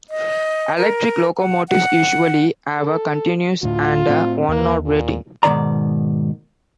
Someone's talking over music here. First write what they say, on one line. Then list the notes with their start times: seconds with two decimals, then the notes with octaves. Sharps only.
Electric locomotives usually have a "continuous" and a "one-hour" rating.
0.10 D#5
0.78 A#4
1.37 F#5
1.69 F#5
2.79 A4
3.63 D2 A2 F4
4.09 A2 C4
4.48 D#2 A#3
4.86 A#2
5.43 G#2 B2 D#3 D5 A#5